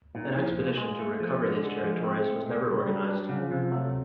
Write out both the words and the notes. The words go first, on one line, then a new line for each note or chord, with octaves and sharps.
An expedition to "recover" these territories was never organized.
A#2 D#4
F3 E4
A#2 A#3
G#3
A3
F3
D3 G#3
D3
F3
C4
A3
A#2
C#3 G3
F#3
G3 D4
G3
C#3 F#3
F3
C3 F3
F#3 A3